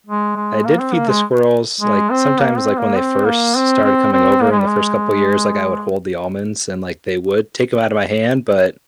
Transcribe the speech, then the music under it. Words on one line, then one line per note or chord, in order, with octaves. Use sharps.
I did feed the squirrels, like, sometimes, like, when they first started coming over in the first couple years, like, I would hold the almonds, and, like, they would take them out of my hand, but
G#3
G#3
A#3
C4
A#3
G#3
G#3
C4
A#3
C4
A#3
C4
A#3
C4
C4
C4
A#3
G#3
G3
G#3